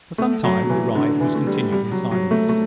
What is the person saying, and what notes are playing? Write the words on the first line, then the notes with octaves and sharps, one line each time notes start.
For some time the ride was continued in silence.
A3
F#3
F#3
E3
D3
E3
A3
G3
G3
F#3
F#3
A3
A3